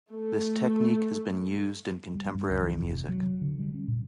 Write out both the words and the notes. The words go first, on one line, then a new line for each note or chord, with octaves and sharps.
This technique has been used in contemporary music.
A3
G3
G2
C#2
E3
F1
C3
F#3
D3
G3
C#4
A#2